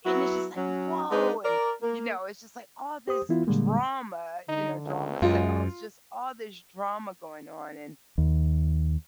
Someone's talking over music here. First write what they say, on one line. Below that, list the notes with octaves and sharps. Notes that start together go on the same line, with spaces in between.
and it's just like, "Whoa!" And, you know, it's just, like, all this drama, you know- drama sells- just all this drama going on, and
F#3 B3 E4 F#4
F#3 C#4
G#3 C4 D4 D#4 G#4 B4
A#4 D5
A#3
G4 C5 D#6
E3 B3 E4 F4
A#2 D3 G3 G#3 A#3
D3 D#4
C#2
F#2 G#3 F4
D#2